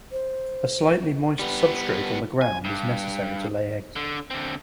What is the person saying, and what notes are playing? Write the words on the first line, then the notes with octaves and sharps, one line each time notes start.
A slightly moist substrate on the ground is necessary to lay eggs.
C5
G3 B3
G#5
G2
D3
D3 C4